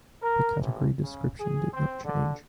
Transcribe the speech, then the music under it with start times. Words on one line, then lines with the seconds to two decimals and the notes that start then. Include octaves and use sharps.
The category description did not change.
0.22 A#4
0.61 A1
1.00 C#3
1.39 G#4
1.73 C4
2.04 D3